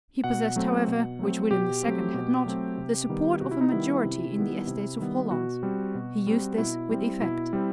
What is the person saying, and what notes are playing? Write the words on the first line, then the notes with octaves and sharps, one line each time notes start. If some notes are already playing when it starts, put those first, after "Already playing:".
He possessed however, which William II had not, the support of a majority in the Estates of Holland. He used this with effect.
B2 F#5
F#3 A3 C4
B2
F#3 A3 C4
B2 G4
F#3 A3 C4
B2
F#3 A3 C4
C3
D#3 G3 B3
C3 F#4
E4
D#4
D#3 G3 B3 E4
C3
D#3 G3 B3
C3
D#3 G3 B3
B2 F#4
G3 C4
B2
G3 C4
B2 E4
G3 C4
B2 E4
G3 C4